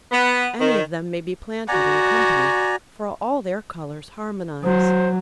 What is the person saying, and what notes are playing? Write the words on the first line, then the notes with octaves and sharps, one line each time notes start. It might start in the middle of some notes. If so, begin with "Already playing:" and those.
Any of them may be planted in company, for all their colours harmonise.
B3
D#3
F#4 D5 G#5 A#5
F#3 C5